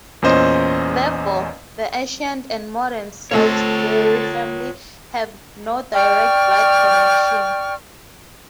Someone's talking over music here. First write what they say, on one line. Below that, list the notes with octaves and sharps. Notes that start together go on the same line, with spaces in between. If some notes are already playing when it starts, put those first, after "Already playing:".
Therefore, the ancient and modern Salusbury family have no direct blood connection.
E2 A#2 C#4 C5 D#5 D#6
A3 C4 F4 A4 C5 C#5 A6
D5 G5 C#6 F6